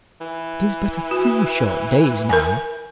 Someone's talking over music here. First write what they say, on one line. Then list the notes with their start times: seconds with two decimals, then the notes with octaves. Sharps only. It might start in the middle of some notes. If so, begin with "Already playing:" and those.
It is but a few short days now.
0.21 E3
1.11 F#4
2.29 A#4 G#5